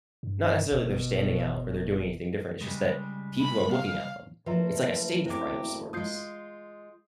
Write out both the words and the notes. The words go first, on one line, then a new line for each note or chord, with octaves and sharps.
not necessarily they're standing out or they're doing anything different, it's just that people are looking at them, it's like a stage fright of sorts
G2
G1 B2
C#3 G3 G#3
B5
F5
F#1 A2 F3 B4 E5 A#5
C4 E4 G4 G5 D6
G#3 F4 D#6 G6 C7